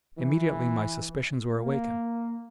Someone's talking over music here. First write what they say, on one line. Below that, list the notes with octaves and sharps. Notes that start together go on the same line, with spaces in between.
Immediately my suspicions were awakened.
E3
A#3